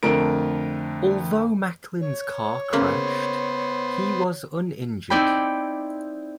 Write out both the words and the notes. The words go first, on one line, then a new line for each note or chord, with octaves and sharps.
Although Macklin's car crashed, he was uninjured.
F2 D3 A3 A#4 D7
C#5
C#3 A#3 B3 C5
C4 D#4 E4 D5 G5 B5